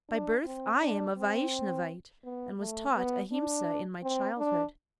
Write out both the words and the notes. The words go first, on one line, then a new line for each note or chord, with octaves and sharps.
By birth I am a Vaishnavite, and was taught Ahimsa in my childhood.
D4
C4
D4
C4
B3
A3
B3
D4
C4
D4